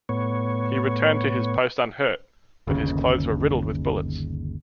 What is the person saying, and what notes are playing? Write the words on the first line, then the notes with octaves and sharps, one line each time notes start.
He returned to his post unhurt, but his clothes were riddled with bullets.
A2 B3 C#5
G1 D#2 C#3